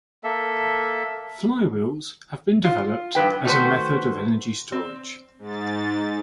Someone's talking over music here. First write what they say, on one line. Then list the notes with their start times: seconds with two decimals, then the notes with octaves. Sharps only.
Flywheels have been developed as a method of energy storage.
0.24 A#3 A4 E5
2.64 F4
3.15 G2 F3 B4 G5
3.45 D#3 A3 F#4 G4 B4 C5
4.72 C4
5.39 G#2 A6